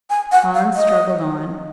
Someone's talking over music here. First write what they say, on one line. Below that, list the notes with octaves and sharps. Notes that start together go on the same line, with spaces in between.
Hans struggled on.
G#5
F#5
F5
D#5